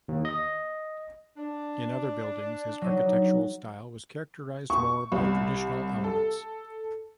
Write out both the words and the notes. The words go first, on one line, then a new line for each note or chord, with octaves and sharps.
In other buildings, his architectural style was characterized more by traditional elements.
D#2
D#5
D4
F#3 D#4
C#6
C2
A4